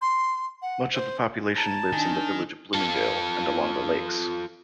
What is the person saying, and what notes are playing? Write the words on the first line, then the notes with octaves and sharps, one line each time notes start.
Much of the population lives in the village of Bloomingdale and along the lakes.
C6
F#5
C5
A5 A#5 G#6 A6
D#3 D4 G#5
F4 A4